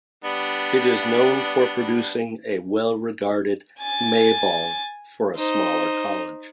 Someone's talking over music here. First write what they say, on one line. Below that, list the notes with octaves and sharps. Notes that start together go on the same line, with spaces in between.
It is known for producing a well-regarded May Ball for a smaller college.
G3 B3 D4
G#5 A6
D#4 C5